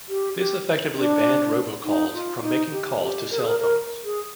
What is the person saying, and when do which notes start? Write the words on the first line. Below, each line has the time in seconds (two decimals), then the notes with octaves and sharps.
This effectively banned robocalls from making calls to cell phones.
0.09 G4
0.37 G4
0.96 D4
1.84 D#4
2.13 F4
2.42 D#4
2.72 G4
3.01 G4
3.31 A#4
3.39 G#4
3.47 A#4
3.60 A#4
4.04 G#4